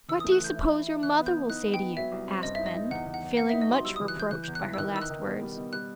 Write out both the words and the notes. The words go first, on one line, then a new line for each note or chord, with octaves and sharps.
"What do you suppose your mother will say to you?" asked Ben, feeling much reproached by her last words.
E3 E6
D#6
A3
F#6
E3 G6
E4
E4
E4
E3 F#6
B3
G6
B3
D#4 F#6
B3
G5
B3
F#3 E5
C2
C4
G2 D#5
D#4 E5
D#5
D#4
E2 F#5
E2
F#5
E2
B3 F#5
E5
D#4
D#5
F#3 C6
G3 E6
D#6
E3
F#6
E3 G6
E3 F#6
E2 G6
F#6
E3
E6
D#3 F#6
D#4 E6
F#6
D#3
B2
G3
B2
G3 F#6